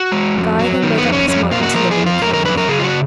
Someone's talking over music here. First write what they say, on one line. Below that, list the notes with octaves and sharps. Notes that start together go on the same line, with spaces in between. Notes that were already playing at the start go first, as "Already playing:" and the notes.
Guy then made up his mind to live in the cave.
Already playing: F#4
G#3
F2
F#3
D#3
B3
F2
C#4
F2 C#4
A#3 F4
F#4
F3 A#4
G#4
F2
F4
F2 A#4
A#4
F#3 B4
A#4
C#3 G#4
F4
F#4